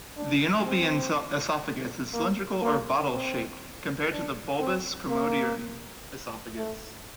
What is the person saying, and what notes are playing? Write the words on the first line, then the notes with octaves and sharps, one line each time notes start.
The enoplean esophagus is cylindrical or "bottle-shaped", compared to the bulbous chromadorean esophagus.
D4
C4
A#3
A#3
C4
D4
C4
A#3
A3